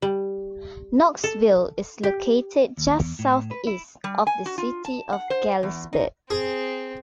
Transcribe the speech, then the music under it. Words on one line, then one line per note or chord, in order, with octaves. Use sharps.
Knoxville is located just southeast of the City of Galesburg.
G3
A4
G4
D#2
E2
A2
B4
E4
G3
G#5
F#4
F4
A5
F#5
C5
E2
D#4
C4 G#4